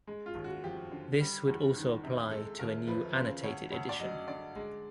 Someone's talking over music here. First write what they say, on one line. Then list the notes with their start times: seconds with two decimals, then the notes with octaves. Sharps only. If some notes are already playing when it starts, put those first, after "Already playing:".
This would also apply to a new annotated edition.
0.07 G#3
0.26 F4
0.35 D#2
0.44 F#4
0.64 F3 G4
0.92 D3
1.20 G3
1.47 E2
1.76 D#3
2.04 C3
2.31 G#3 A4
2.59 D#2 A#4
2.87 F3 B4
3.09 B4
3.16 C#3 C5
3.44 D2 C#5
3.72 D2 C#5
3.89 D5
4.00 F#3 D#5
4.28 D3 D5
4.56 G#3